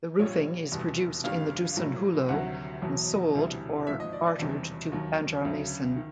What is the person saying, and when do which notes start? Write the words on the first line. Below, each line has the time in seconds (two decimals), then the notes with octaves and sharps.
The roofing is produced in the Dusun Hulu and sold or bartered to Banjarmasin.
0.19 A#1 A#2 G3 C#5
0.71 F1 E2 B2 G3
1.24 G#1 G2 D#3 G3 F5
1.77 A#1 A2 F#3
2.29 D2 C3 D#3 F#3 F#5
2.81 E1 E2 B2 F#3
3.34 E1 D2 C3 E3 G3
3.87 G#1 G#2 F3 E5
4.00 D#5
4.13 D5
4.26 D5
4.39 E1 E2 C3 D#3 G3
4.92 D#2 D#3 F#3
5.45 D2 C#3 F#3
5.96 D#3